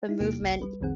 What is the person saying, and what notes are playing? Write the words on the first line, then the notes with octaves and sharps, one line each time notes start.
the movement.
D#4 E4
E2 C3 A#3 G4 D7
G1 C2
G3 B4
B1 F2 D#3 C4 G#4 F#5